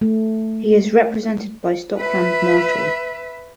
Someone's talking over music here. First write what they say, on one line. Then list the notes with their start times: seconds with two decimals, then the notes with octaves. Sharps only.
He is represented by Stockland Martel.
0.01 A3
1.98 B4 E5